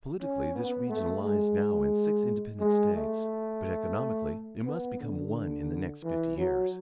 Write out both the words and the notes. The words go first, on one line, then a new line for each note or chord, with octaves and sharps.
Politically this region lies now in six independent States, but economically it must become one in the next fifty years.
C#4
B3
A3
G#3
G#3
A3
B3
D3
E3
F#3